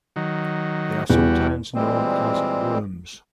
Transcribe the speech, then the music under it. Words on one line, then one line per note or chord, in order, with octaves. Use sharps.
They are sometimes known as "worms".
D#3 F#3
E2 G3 F#4
A#2 E3 G3 G#3 C4